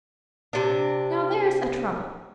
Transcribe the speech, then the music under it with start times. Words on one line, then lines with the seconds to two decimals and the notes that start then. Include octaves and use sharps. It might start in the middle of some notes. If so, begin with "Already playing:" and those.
Now, there's a trouble.
0.53 C3 D4